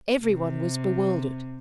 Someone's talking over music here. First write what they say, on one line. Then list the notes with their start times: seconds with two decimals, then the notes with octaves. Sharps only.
Everybody was bewildered.
0.23 C3